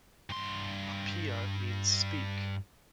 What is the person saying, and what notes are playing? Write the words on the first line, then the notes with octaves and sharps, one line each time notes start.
Papia means speak.
G2 C6